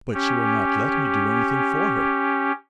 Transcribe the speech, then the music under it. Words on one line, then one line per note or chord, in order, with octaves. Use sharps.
"But she will not let me do anything for her."
C#4 G4